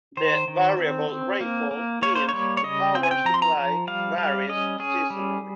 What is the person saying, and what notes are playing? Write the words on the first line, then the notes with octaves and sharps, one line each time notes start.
The variable rainfall means the power supply varies seasonally.
D#3 C5
D#3
C4
C4
A#3
A#3
A#3 C#5
C5
G3 C#5
C#5
C#3 D#5
C4 G5
G#5
G5
F3 A#5
C6
A#5
F3
G3 F5
G3 F5
C#4 D#5
C#4 G#4
G3